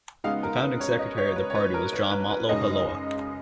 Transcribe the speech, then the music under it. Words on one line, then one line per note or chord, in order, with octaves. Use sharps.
The founding secretary of the party was John Motloheloa.
C#3 G#3 B3 D#4 F5
A#4
B4
C#5
D#5
C#5
B4
C#5
B4
A#4
B4
B4
B4
F#2 C#3 G#3 D#4 D#5